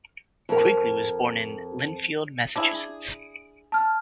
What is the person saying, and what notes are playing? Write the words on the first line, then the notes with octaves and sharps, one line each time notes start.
Quigley was born in Lynnfield, Massachusetts.
F2 A#4
D4 E4 G#4
A5 F6